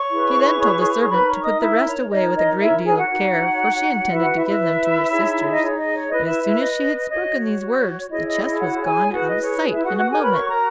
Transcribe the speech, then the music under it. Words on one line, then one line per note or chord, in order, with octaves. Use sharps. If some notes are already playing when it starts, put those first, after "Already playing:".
She then told the servant to put the rest away with a great deal of care, for she intended to give them to her sisters; but as soon as she had spoken these words the chest was gone out of sight in a moment.
Already playing: C#5 C#6
E4 G#4 B4
D#4 A#4 B4 C#5 B5
C#5 C#6
D#5 D#6
E4 E5
C#5
D#4 A#4 C#5 D#5
D#5
E4 E5
G#4 G#5
F#4 F#5
D#4 F#4 C#5
E4 F#4 B4 E5
F#4 F#5
E4 E5
E4 E5
D#4 G#4 C#5
D#5
C#5
D#5
C#5
E4 B4 D#5
E4 E5
E4 E5
D#5
F#4 C#5 D#5
C#5
E4 G#4 C#5 D#5
D#5
D#5
F#4 F#5
G#4 G#5
E4 F#4 G#4 B4 F#5
D#5
C#5
E4 E5
F#4 F#5
F#4 F#5
F#4 G#4 A#4 C#5 G#5
B4 B5
C#5 C#6
A#4 A#5